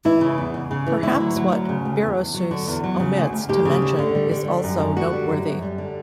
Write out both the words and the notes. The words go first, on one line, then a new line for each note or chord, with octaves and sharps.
Perhaps what Berossus omits to mention is also noteworthy.
E3 E4
C#3
E2
C#3
C#3
E3
D2 E4
F#3
F#3
D2
C#3
D2
E2
E2
F#3
D3 F#4
E2
F#3
C#3
D2
D2
D2 G4
C#3
D2
D3
G3
D3
G3
F#2
D3
D3 F#4
G3
F#2
F#2
G3
D3